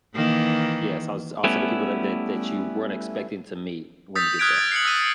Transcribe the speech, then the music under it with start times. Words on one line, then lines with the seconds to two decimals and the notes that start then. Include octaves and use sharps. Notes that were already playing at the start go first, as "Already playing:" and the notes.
Yes, I would s I would say the people that that that you weren't expecting to meet when you get there.
0.15 D#3 E3 A#3
1.44 G3 A3 B3 C#4 E4
4.15 D#6 E6 G6 A6 B6
4.39 D#6 F6 F#6 G#6 B6 D7
4.58 A6
4.72 C7 C#7 F#7
4.85 E6 B6 D#7